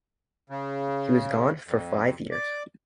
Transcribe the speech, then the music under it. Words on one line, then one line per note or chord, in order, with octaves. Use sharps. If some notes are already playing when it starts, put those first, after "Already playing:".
He was gone for five years.
C#3
F2
D5